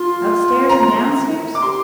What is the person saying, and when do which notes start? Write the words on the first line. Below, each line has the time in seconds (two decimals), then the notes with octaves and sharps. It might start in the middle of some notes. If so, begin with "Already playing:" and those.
Upstairs, and downstairs.
Already playing: F4 C6
0.69 A#5
1.55 D6
1.62 G4 C6